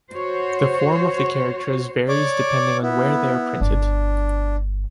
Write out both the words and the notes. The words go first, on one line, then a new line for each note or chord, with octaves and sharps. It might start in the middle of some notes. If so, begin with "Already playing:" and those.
The form of the characters varies depending on where they are printed.
F#4 C5 C#5
C#5 D5 D6
B3 E4
G1 D4